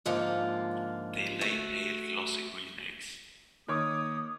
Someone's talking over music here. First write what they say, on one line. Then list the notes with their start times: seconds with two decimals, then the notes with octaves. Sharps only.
They lay pale glossy green eggs.
0.06 G#2 D3 F3 A#3 F4
1.41 A3 F#4
3.68 D#3 A#3 C#5 D6 D#6